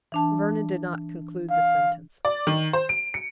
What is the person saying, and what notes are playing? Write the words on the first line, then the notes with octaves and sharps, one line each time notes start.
Vernon did not conclude the sentence.
E3 D4 A5
F5
D5
D#3
C5
D7
C#7